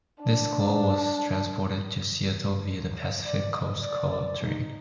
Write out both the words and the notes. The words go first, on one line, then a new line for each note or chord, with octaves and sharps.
This coal was transported to Seattle via the Pacific Coast Coal train.
D4
D5
D#5
D5
D#4